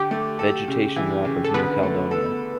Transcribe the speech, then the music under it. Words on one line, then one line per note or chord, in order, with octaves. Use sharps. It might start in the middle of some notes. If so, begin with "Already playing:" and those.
Vegetation map of New Caledonia.
Already playing: D3 G4
A3
A4
C#3
E3
C#3
A4
D3 B3 B4
A3
A4